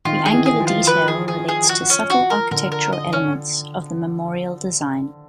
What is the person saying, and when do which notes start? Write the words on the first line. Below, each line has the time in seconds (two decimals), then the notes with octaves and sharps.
The angular detail relates to subtle architectural elements of the memorial design.
0.05 D#3 F4
0.26 G#4
0.33 E3
0.46 G#4
0.60 F3
0.67 F4
0.87 B4
1.08 G#4
1.28 G#4
1.48 G#4
1.69 F#4
1.90 C#4
2.10 F#4
2.30 A#4
2.51 D3 A#4
2.72 A#4
2.92 D#5
3.13 C#4